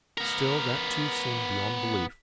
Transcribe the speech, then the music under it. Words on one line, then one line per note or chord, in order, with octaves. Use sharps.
Still, that too seemed beyond belief.
B3 A#4